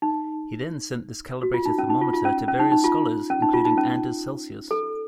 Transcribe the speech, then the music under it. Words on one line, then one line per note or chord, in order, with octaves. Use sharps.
He then sent this calibrated thermometer to various scholars, including Anders Celsius.
D#4
F#4
F4
D#4
C#4
D#4
F4
F4
C#4
C#4
D#4
D#4
F4
C#4
D#4
F4
D#4
C#4
A4